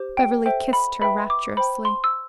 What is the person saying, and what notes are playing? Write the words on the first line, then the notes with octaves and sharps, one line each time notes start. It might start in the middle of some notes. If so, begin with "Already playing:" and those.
Beverly kissed her rapturously.
Already playing: G4 C5
G5
A4 C5 E5 G5
B5
B4 E5 G5 B5
D6
C5 G5 B5
C6
E6